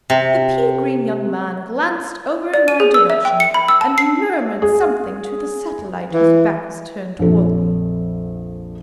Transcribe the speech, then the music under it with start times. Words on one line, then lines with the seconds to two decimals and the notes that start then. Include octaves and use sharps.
The pea-green young man glanced over in my direction, and murmured something to the satellite, whose back was turned towards me.
0.10 C3
2.54 D5
2.68 D#7
2.80 G#4
2.94 E6
3.10 E5
3.25 G5
3.40 C#7
3.54 B5
3.68 E6
3.81 A5
3.98 C7
4.62 G#4
6.13 E3
7.19 A#1 F2 A4